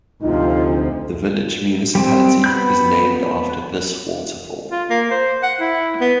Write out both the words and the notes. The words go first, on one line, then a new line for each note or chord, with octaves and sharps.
The village municipality is named after this waterfall.
D2 C3 F3 D#4 F4
G3 C4
B3 B5 G6
F4
A#3
C5
F#5
E4
B3